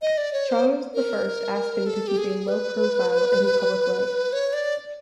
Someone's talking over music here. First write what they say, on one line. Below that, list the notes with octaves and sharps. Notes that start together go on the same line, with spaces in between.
Charles the First asked him to keep a low profile in public life.
D#5
D5
C#5
C5
A#4
A4
G4
G#4
B4
C#5
D5